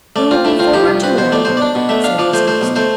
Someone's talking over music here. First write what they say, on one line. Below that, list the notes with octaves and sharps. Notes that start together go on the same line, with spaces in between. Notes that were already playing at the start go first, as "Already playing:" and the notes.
We will be forward to-morn, said his host.
A3 D5
C4 F4
A3 E4
C4 F4
F3 G4
C2
C4 B4
B2 C5
A3 D5
B1 C5
D4 D5
B2
A3 E5
D4 F5
F3 D5
A3 C5
A3 C5
B1
A3 C5